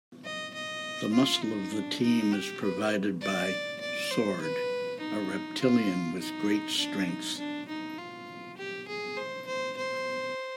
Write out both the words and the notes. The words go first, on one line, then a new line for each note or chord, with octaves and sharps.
The muscle of the team is provided by "Sord", a reptilian with great strength.
D#5
D#5
F4
D#4
D4
D#4
G4
B4
D5
D5
C5
B4
D#4
F4
D#4
D4
D#4
D4
D#4
F4
G4
G#4
C5
C5
C5